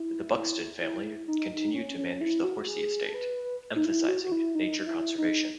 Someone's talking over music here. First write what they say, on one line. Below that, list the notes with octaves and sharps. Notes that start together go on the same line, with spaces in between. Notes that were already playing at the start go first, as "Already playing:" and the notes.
The Buxton family continue to manage the Horsey estate, emphasising nature conservation.
Already playing: E4
E4
D#4
C#4
C#4
E4
F#4
G#4
A4
B4
D#4
E4
F#4
F#4
E4
D#4
E4
D#4